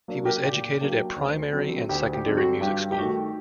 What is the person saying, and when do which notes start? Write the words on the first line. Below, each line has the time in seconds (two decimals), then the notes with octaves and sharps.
He was educated at Primary and Secondary Music School.
0.08 F#3 A#3 D4
0.25 G4 A#4
0.43 A#2 G4
0.81 F#3 A#3 D4
1.16 D2
1.53 D3 F#3 C4
1.89 D2 G4
2.13 G4
2.25 D3 F#3 C4
2.37 F#4
2.61 G2 G4
2.92 G4
2.98 D#3 A3 F#4